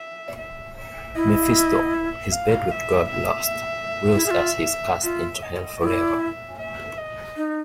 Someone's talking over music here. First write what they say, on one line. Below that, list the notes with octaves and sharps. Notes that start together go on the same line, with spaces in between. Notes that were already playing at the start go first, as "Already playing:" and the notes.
Mephisto, his bet with God lost, wails as he is cast into hell forever.
Already playing: E5
E5
E5
E4 D#5
E5
F5
E5
E5
E4
G#4
F4
F4 E5
D#5
E4 D5
E5
E5
D#5
D#4